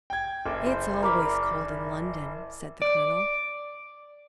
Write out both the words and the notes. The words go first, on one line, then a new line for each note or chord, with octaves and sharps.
"It's always cold in London," said the colonel.
G5 G#6
F#1 E5 D6
E4 C5
A#4 D5 B5
D5